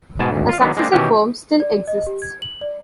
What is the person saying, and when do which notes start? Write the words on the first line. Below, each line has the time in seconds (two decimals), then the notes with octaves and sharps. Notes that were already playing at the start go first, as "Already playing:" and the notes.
A successor firm still exists.
0.19 G#2 B2 G#5 A5
0.31 G#1 D2
0.49 F4 F5
0.60 D#3 F#3 G#3 B3 D4
0.77 G#3 A#3 C4 D4
0.92 B2 D#3 E3 C#4 F#4 G4
1.60 D5
1.88 D#5
2.07 G4
2.22 G#6
2.42 F#7
2.61 D5